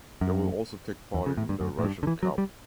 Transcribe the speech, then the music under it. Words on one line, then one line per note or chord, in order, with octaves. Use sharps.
They will also take part in the Russian Cup.
F#2
E2
C#3
A2
G2
F#2
A2
G2
D3
E3
F#3
G3